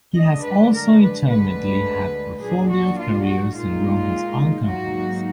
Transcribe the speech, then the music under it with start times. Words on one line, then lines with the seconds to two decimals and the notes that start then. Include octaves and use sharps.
He has also intermittently had portfolio careers and run his own companies.
0.15 D3 G#3 D4 D#5
0.43 B4
0.71 A#4
0.99 B4
1.27 D2 D3 G#3 D4 B4
2.41 A#2 F#3 D4 G#4
2.69 F#4
2.97 F4
3.25 F#4
3.54 A#2 G#3 D#4 F4
4.66 G#2 F#3 A#3 D#4 F#4